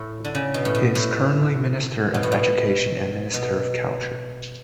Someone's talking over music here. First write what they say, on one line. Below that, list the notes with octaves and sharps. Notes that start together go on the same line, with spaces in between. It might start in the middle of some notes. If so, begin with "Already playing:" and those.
He is currently Minister of Education and Minister of Culture.
Already playing: A2
D3
C#3
B2
A2
B2
A2
B2
A2
B2
B2